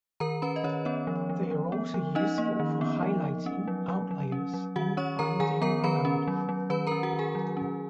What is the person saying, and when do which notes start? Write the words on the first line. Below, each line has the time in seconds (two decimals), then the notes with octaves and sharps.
They are also useful for highlighting outliers and finding the mode.
0.20 D#3 A#4 A#5
0.42 C#4 B4 B5
0.56 D#5
0.64 D#3 C#4 C#5
0.85 B3 C#4 C#5
1.07 F3
1.29 F3
1.51 F3
1.72 B3
1.94 F3
2.15 C#4 D#4 D#5
2.38 A#3
2.60 D#3
2.81 B3
3.03 F3
3.24 F3
3.46 C#4
3.68 F#3
3.88 F#3
4.11 F#3
4.32 C#4
4.54 F#3
4.76 D#3 F#4 F#5
4.97 C#4 C#5 C#6
5.19 D#3 A#4 A#5
5.40 D#3 G#4 G#5
5.62 B3 A#4 A#5
5.84 D#3 B4 B5
6.05 C#4
6.28 F#3
6.49 F#3
6.70 D#3 B4 B5
6.87 A#4 A#5
6.91 C#4
7.03 F#4 F#5
7.13 D#3
7.19 G#4 G#5
7.35 F#3
7.57 C#4